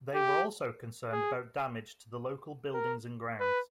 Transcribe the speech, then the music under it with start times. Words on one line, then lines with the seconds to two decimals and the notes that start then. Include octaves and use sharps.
They were also concerned about damage to the local buildings and grounds.
0.15 G4
1.12 G#4
2.74 A#4
3.40 B4